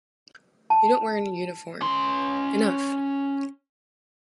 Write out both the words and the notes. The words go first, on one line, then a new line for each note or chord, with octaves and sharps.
You don’t wear an uniform: enough!
A5
C#4 C6